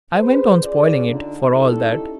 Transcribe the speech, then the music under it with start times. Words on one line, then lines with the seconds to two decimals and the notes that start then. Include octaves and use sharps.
I went on spoiling it, for all that.
0.15 G#4 B4 C5
0.62 C#4 F4 G#4 D5
1.07 D3 D#4
1.51 G3 C#4 D#4 E4 G4 A4